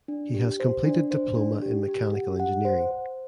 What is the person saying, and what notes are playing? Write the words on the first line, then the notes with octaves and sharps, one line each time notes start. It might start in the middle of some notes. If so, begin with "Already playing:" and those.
He has completed Diploma in Mechanical Engineering.
D4
G4
C5
D4
C5
D4
G4
G4
F#5
F#5
C5
C5